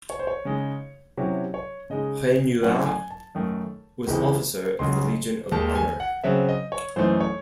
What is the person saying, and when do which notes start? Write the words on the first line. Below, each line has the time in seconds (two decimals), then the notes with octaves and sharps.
Raynouard was Officer of the Legion of Honour.
0.10 C#5
0.19 C5
0.27 C#5
0.45 C#3 G#3 D#4
1.18 C3 F#3 C#4 E4
1.54 C#5
1.90 C#3 G#3 D#4 D#5
2.63 A2 F#3 C#4 F#5
2.87 G#5
3.10 A5
3.35 F#2 D#3 A3
4.07 C#2 C3 E3 G#3
4.79 C#2 C#3 F#3 C6
5.52 D#2 D#3 G#3 A5
5.75 G#5
6.00 F#5
6.24 C#3 F#3 C4 E5
6.49 D#5
6.72 C#5
6.96 F#2 E3 A3 D#4 C5
7.20 C#5